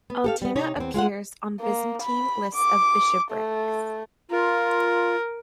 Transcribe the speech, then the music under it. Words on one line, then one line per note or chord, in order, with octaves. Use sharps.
Alinda appears on Byzantine lists of bishoprics.
B3
G4 A4 F5
G3 B3
C3 D#4 C#5
E2 C4
G#3 F4 F5 F#5
A#3
B5
D6
A3
F4 A#4